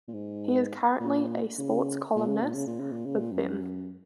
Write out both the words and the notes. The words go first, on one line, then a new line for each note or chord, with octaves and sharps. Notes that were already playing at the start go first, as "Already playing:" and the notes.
He is currently a sports columnist with them.
A#2
G#2
A#2
C#3
A#2
C#3
A#2
C#3
A#2
C#3
A#2
C#3
A#2
F#2